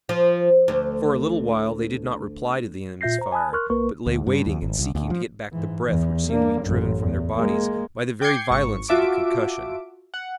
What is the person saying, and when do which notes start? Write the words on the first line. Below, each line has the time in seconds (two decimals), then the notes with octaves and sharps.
For a little while they did not reply to the enemy's fire, but lay waiting and seeking to get back the breath which seemed to be driven from their bodies by the very violence of the concussion.
0.09 F3
0.68 D2
3.01 A#2 F4 E5 G6 A#6 C7
3.19 C5 A#5
3.32 G#5 A5 B5 D#6 F#6
3.53 A#4 C6 C#6 F6 F#6
3.70 B1 A#3 A#4 B4 C#6
4.06 D2
4.27 G2
4.47 D#2
4.62 G#1
4.78 C2
4.95 D2
5.10 F3
5.52 G#2 E3
5.85 E2 E3
6.27 A#3 D4
6.62 A1 F#2
6.99 E2
7.37 G#3 A#3
8.21 G5 D6 G6 G#6 C7 C#7
8.51 G#1 C#6
8.88 F4 F#4 E5 A5 D6 D7
10.14 F#5